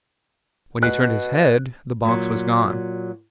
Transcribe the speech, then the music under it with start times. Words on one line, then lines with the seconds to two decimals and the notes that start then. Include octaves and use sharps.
When he turned his head, the box was gone.
0.83 B2 F#6
2.05 A#2 F#3